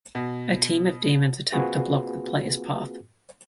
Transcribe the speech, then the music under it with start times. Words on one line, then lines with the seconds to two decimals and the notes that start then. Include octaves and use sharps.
A team of demons attempt to block the player's path.
0.15 B2
1.52 A#3 C4 F4 F#4 G#4 B4